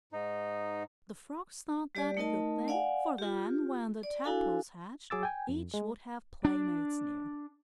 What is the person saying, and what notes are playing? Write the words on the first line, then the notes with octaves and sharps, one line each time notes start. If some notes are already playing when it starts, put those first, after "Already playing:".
The Frogs thought that a good thing, for then, when the Tadpoles hatched, each would have playmates near.
G#2 D#4
G3 G4 D5
A3 D#4 A#4 D#5 A5
D5 F5 F#5 G#5
F4 G4
D5
D4 E4 F#4 A4 F5 G#5
F#3 G#4 D6 E6 A6
G5 G#5
F2
G#3
D4